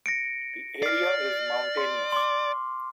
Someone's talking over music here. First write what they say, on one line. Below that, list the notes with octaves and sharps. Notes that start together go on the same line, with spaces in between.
The area is mountainous.
A#6 C#7 D7
D5 F6 C7
C6
C6 D6